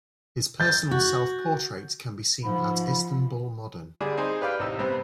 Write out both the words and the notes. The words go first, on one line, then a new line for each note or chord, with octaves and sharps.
His personal self-portrait can be seen at Istanbul Modern.
G6 A6
F#4
G#2 F3 B5
D3 G3 D4 G#4
C4 D#4 G#4 C5
G4 B4 D5 F5 G5
A1 C3 D#4 E6
G2 C3 B3 C4